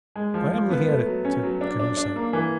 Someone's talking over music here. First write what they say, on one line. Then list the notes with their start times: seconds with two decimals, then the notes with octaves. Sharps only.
"I am looking at it," said Cahusac.
0.16 G#3
0.34 F3
0.52 F3
0.71 B3
0.88 A3
1.06 F#3
1.25 C#4
1.43 F#3
1.61 D4
1.79 D4
1.97 D4
2.16 A#3
2.33 E3